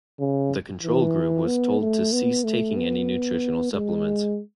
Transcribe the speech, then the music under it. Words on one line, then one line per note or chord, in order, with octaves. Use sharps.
The control group was told to cease taking any nutritional supplements.
C#3
E3
B3
A3
B3
A3
B3
G#3